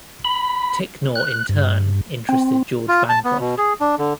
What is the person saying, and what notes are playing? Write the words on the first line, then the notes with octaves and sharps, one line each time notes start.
Ticknor in turn interested George Bancroft.
B5
F#6
G2
C4
F4
A5
B3
B2
G#4
D4
D3